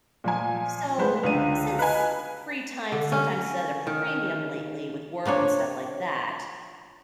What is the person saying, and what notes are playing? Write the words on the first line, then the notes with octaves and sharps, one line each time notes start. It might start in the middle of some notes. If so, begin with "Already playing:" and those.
So, since free time sometimes is at a premium lately with work and stuff like that,
A#2 F3 G#5
F3 G#3 A3 B4 C5
C#2 D3 D#7
B4 D#5 G#5
D3
C#4
D#3
F3 A#3 D4 C#5